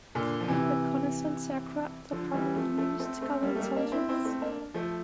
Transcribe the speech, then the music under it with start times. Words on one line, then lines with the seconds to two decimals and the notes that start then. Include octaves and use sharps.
Reconnaissance aircraft are primarily used to gather intelligence.
0.15 A#2 D3
0.40 F3
0.48 C3 E3
2.12 D3 F3
2.34 E3 G3
2.56 F3 A3
2.78 F3 A3
2.99 A3 C4
3.21 A3 C4
3.43 G3 A#3
3.55 A3
3.59 G3 A#3
3.76 A#3 D4
3.92 C4 E4
4.08 C4 E4
4.25 A3 C4
4.41 A#3 D4
4.74 F3 A3